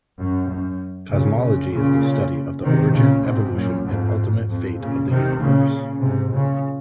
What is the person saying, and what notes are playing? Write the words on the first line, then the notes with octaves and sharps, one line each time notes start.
Cosmology is the study of the origin, evolution and ultimate fate of the universe.
F#2
F#2
A#2 C#3
A#2 C#3
A#2 C#3
C3 D#3
A#2 C#3
G#2 C3
F#2 A#2
F2 G#2
F2
A#2 C#3
C3 D#3
A#2 C#3
G#2 C3
A#2 C#3